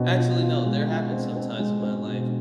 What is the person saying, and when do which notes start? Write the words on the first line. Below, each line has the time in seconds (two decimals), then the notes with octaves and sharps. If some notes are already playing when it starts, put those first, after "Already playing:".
actually, no, there have been some times in my life
Already playing: B2 C4
0.17 F4
0.41 F4
0.65 G#3
0.89 F4
1.12 C4
1.36 C4
1.59 G#3
1.83 C4
2.07 B2